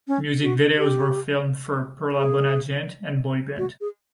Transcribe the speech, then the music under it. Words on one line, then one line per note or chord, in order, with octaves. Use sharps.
Music videos were filmed for "Per la bona gent" and "Boy Band".
C#4
F#4
G4
G#4
F#4
G#4